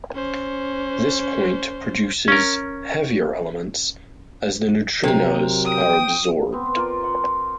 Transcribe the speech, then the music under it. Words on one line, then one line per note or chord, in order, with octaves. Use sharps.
This point produces heavier elements as the neutrinos are absorbed.
C#4 C5
C#4 A#4
C3 F#3 A#4
G5 D#6
B3 C4
F4 A#4 D5
C5 F#5